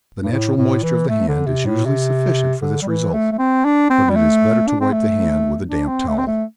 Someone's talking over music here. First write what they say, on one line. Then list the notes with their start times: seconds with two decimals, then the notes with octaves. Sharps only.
The natural moisture of the hand is usually sufficient for this result, but it is better to wipe the hand with a damp towel.
0.24 G2
0.32 A2
0.57 A2
0.83 E3
1.09 A3
1.28 D3
1.46 C3
1.66 A2
1.86 C3
2.62 D3
2.82 G3
2.88 E3
3.13 A3
3.32 A3
3.39 C4
3.65 D4
3.90 C4
4.10 G3
4.16 A3
4.68 D4
4.81 C4
4.92 A3
5.69 D4
5.88 C4
6.08 A3
6.18 C4
6.27 A3